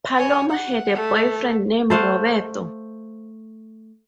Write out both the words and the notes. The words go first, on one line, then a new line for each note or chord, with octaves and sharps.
Paloma had a boyfriend named Roberto.
C#5 G#5
F#5
A3
A3 C5 F5 F#5